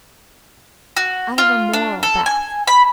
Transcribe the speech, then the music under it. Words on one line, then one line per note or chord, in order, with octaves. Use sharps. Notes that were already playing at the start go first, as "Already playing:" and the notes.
Out of a moral bath.
F#4
F4
D4
A4
G#5
B5